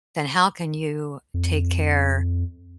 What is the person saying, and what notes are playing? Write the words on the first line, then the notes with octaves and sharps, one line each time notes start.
then how can you take care
F2